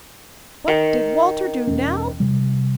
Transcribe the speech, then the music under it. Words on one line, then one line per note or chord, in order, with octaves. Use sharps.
What did Walter do now?
D#3
E1 E2 C#4
C3 G3